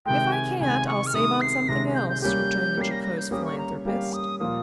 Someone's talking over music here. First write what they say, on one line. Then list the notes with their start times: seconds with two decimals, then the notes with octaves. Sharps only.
"If I can't, I'll save on something else," returned the jocose philanthropist.
0.06 C3 D#3 G#3 G5
0.32 G#5
0.60 C3 D#3 G#3 G#5
0.87 C#6
1.07 F6
1.14 C3 D#3 G#3 D#6
1.41 C7
1.68 C3 D#3 G#3 A#6
1.95 G6
2.09 G6
2.22 G3 A#3 C#4 G4 G6
2.77 G3 A#3 C#4 G4 C7
2.91 A#6
3.04 A#6
3.18 G6
3.31 G3 A#3 C#4 G4 D#6
3.45 C#6
3.58 A#5
3.85 G3 A#3 C#4 G4 F5
4.13 D#6
4.40 A#2 F3 A#3 D#6